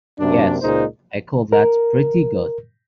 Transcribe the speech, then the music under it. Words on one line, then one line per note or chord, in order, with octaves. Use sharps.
Yes, I call that pretty good.
F#2 C3 A#3 D4
C#2 A#2 G#3 D#4 C5
A#4